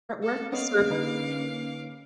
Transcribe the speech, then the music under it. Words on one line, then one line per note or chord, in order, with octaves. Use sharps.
weren't the surfers
A4
A#3 B3 C#4 C#5 D#5 F5 D6
D3 D#4 B4